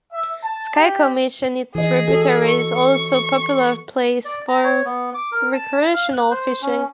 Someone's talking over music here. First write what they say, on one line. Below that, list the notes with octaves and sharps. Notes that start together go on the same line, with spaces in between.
Skykomish and its tributaries also popular place for recreational fishing.
E5
A5
G4
E3 G#4 D#5
F#4 A4
C#6
D5
A#5
C#5
B3
D6
A#4
A5
F5
F#6
C5
C#4